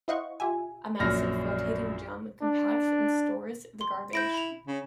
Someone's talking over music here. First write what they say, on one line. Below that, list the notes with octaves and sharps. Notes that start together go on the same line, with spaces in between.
A massive rotating drum compacts and stores the garbage.
E4 C5 D#5 F5 F#5 C#6
F4 G4 E5 G#5
A#1 F#2 F6 A#6
D4
C6
E4 G6 A#6 D7
B5 F7
C#3